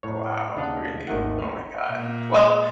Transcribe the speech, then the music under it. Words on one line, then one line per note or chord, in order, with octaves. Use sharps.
wow, really? Oh my god. Well,
A2 C#5
D#2 C#3 D4 D#5 F5 F#5
G#1 D#2 D#3 A3 F#5
A#2